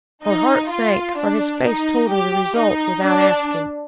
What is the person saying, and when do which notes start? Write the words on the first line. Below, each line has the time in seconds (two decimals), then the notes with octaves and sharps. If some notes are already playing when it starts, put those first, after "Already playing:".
Her heart sank, for his face told her the result without asking.
0.23 D#4
0.70 F4
1.17 D4
1.63 D#4
2.10 G4
2.57 D#4
3.03 D4